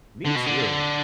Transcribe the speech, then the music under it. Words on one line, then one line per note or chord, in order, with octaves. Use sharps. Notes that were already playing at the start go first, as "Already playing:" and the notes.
Me too.
D3
B2
D3